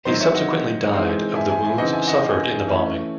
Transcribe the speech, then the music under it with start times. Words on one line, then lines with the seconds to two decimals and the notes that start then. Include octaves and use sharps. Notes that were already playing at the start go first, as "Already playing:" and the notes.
He subsequently died of the wounds suffered in the bombing.
0.05 D#3 F#3 C4 C5 D#5
0.20 C#5 E5
0.35 D#5 F#5
0.92 E3 G#3 C4 D#4
1.36 E5 G#5
1.50 E5 G#5
1.64 E5 G#5
1.78 C#3 E3 C4 D#4 D#5 F#5
1.93 E5 G#5
2.07 D#5 F#5
2.65 E3 A3 C#4